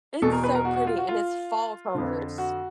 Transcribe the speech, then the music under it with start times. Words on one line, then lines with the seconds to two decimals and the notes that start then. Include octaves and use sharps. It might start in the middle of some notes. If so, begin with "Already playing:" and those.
it's so pretty and it's fall colors.
0.22 E2 B2 A4
0.32 A#4
0.44 B4
0.55 A#4
0.65 F#4
0.76 F#4
0.87 F4
0.98 F#4
1.08 F4
1.95 F2 D3
2.38 F#4